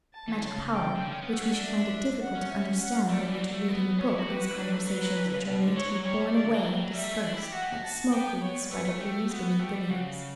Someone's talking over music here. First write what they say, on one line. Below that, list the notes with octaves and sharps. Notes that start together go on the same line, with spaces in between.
Magic power which we should find it difficult to understand were we to read in a book these conversations which are made to be borne away and dispersed like smoke wreaths by the breeze beneath the leaves.
A5
E3
C#3 A5
G5
C#3
D3
C#4
B3
A3 F#5
C#4
D4
E5
F#5
C#4
E5
F#5
A3 D5
G3
E3
F#3
A3
B3
C#4 C#5
E4
F#4
G4 B4
F#4
E4
D4
A3
F#3 B4
F#3
E3
D3
C#3
B2
D3
E3 C#5
F#3
F#3
G3 C#5
G3
F#3 D5
D3
E3
F#3
G3
F#3
G3 E5
A3
C#4
D4
E4
G4
F#4 F#5
G4
F#4
A5
B3 G5
C#5
G3
A3 B4
A3
A3 G4
B3 F#4
A3 G4
G3
C#3 F#4